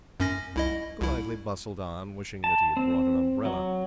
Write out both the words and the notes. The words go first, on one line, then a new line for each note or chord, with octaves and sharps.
Golightly bustled on, wishing that he had brought an umbrella.
F#2 C#4 A#6
C2 E4 D#5
C2 E4
A5
C4
F#3